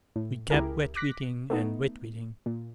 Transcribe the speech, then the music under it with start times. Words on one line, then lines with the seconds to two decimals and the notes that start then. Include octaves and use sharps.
We kept wetweating and wetweating.
0.16 A2
0.50 C#2 E4 G4 G#4 A#4
0.95 D6 F#6 A#6 B6
1.50 A3 B3 D#4
2.46 A#2